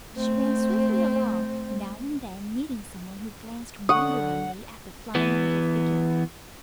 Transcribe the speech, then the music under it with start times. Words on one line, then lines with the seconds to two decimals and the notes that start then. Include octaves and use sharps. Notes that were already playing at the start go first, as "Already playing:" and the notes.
She ran swiftly along, now and then meeting someone who glanced wonderingly at the flying little figure.
0.15 A3 C4
3.89 D3 F#5 C#6 D#6
5.15 E3 B3